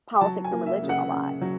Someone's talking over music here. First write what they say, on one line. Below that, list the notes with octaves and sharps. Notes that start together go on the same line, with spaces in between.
politics and religion a lot,
F#3 A5
G#5
A#3
E5
C#3
F#5
C#3 F#5
F#3